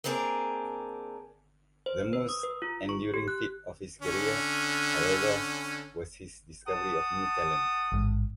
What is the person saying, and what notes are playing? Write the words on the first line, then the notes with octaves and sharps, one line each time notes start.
The most enduring feat of his career, however, was his discovery of new talent.
A#3 C4 D4 G#4 A#4
C5
B4
D#6
B4
F4
C#6
G4
F#6
D3 C#4
F#5 A5 D#6
A1 G#2